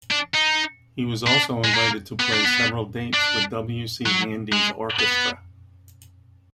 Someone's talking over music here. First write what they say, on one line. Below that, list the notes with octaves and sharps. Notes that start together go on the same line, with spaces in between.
He was also invited to play several dates with W. C. Handy's Orchestra.
D4
D#4
D4
G#3
A#3
B3
D4
B3
D4
F#3
G#3
B3